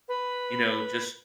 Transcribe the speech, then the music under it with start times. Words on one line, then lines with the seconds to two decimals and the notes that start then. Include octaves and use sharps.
you know, just
0.08 B4